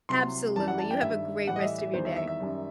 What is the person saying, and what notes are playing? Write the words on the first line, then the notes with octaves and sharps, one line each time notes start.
Absolutely, you have a great rest of your day.
C2 C3 F#3 C6
F#2 E3 G3 A5
F#5
A5
G5
G2 D#3 G3 E5
A2 E3 G3 F#5
D#5
E5
E5
E2 D#3 G3 C5
E5
E5
E5
F#2 D#3 G3